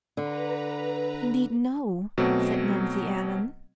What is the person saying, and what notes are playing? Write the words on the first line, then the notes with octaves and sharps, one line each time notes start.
"Indeed, no!" said Nancy Ellen.
D3 B4 A#5
B2 F#3 A3 C4